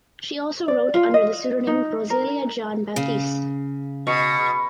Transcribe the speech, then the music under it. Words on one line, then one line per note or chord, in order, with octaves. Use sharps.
She also wrote under the pseudonym Roselia John Baptiste.
D5
F4
D#5
D#4
A#4
C#3
B2 C#6